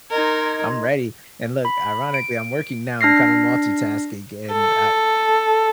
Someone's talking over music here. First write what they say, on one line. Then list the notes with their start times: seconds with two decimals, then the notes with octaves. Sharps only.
"I'm ready." And look, ironically, I'm working now. I'm kinda multitasking and, uh,
0.10 D#4 A#4 D#5 C6 G#6
1.65 B5
2.14 D7
3.01 D4 F6 A#6 C7
4.52 A4